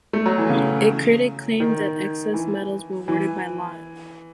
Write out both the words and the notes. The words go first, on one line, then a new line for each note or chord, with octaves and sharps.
A critic claimed that the excess medals were awarded by lot.
A3
F#3
E3
C#3
D#3
E3
E3